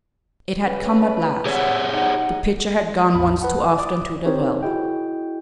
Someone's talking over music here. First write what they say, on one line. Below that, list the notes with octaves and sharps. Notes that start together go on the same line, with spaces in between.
It had come at last--the pitcher had gone once too often to the well!
C#3 B4
G4 G#4 C#5 E5 F#5
D#4 F#5
A1 E2 B5 D#6
B4 F#5 A5
D5 D6 D#6
C4 D#4 G4 A#4 C5 C#5
E4 F#4 G#4 D#5 G5